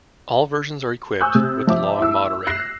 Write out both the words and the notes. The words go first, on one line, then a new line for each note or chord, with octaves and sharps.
All versions are equipped with the long moderator.
G#5 C#6 D#6 E6 F#6 G6
C3
F3 E5 D6
E4 E6
F#6 A#6 C7 E7